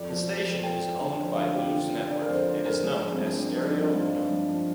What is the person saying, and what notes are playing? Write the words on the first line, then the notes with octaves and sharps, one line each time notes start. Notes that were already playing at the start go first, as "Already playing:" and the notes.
The station is owned by Luz Network and is known as Stereo Uno.
Already playing: F2 D5
F3
F3
F2
F2 G5
F2
D3
F3
D3 F5
F2 G4
D3 F4
D3
D3 D5
A#4
F2 C5
D3 C5
F2 A#4
G2 G#4
F3
C4
G2 D4
G2 D4
F3 D#4
D4
F3
D#4
G2 F4
F3
G2
F3